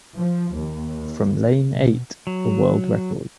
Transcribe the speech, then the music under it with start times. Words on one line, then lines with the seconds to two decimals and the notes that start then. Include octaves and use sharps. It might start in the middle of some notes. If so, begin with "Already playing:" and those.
From lane eight, a world record.
0.16 F3
0.55 D#2
1.70 B2
2.27 F#3